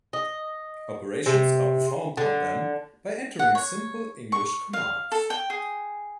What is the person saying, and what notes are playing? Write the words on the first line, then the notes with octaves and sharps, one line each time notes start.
Operations are performed on them by entering simple English commands.
D#5
C3
D3
F#5
C#5
C#6
F5
A4
G5
G#4